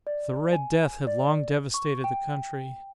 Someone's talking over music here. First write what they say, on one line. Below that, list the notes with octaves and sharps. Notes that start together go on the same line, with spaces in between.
THE "Red Death" had long devastated the country.
D5
G#5
D5
C#6
G5